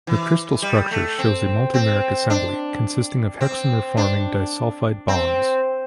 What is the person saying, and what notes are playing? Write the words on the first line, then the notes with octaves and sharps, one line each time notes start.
The crystal structure shows a multimeric assembly consisting of hexamer-forming disulfide bonds.
E3
G3
A3
C4
C4
D4
C4
D4
C4